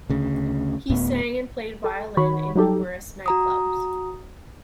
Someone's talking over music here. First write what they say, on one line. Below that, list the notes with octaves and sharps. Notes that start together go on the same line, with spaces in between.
He sang and played violin in numerous nightclubs.
D2 C#3
D1 A2 B3
A4
D#3 F#4 C#5 B5
F#3 G3 D#4 G4 A4
F#4 A#5 D#6